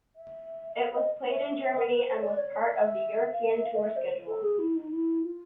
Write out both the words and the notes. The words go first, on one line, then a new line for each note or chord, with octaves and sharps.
It was played in Germany and was part of the European Tour schedule.
E5
E5
F5
D#5
E5
A#4
B4
C5
C#5
D5
C#5
D5
E5
F5
E5
F5
D#5
E5
C5
A4
G#4
E4
D#4
E4
F4